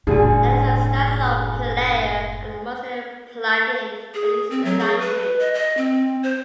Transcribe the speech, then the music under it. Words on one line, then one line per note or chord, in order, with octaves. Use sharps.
There is a standalone player and a Mozilla plugin that uses the library.
F#1 D2 A2 D3 G3 D4 G#4 G#5
G#4
C4
F#3
G#4
B4
D#5
D#5
C4
C5